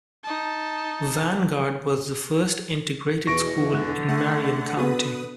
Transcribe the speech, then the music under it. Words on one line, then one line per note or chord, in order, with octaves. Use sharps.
Vanguard was the first integrated school in Marion County.
D#4 A5
E2 B2 E3 C#6 A#6 D7
D3 F#6
A3 F#5
B3 F#4 B4 D#6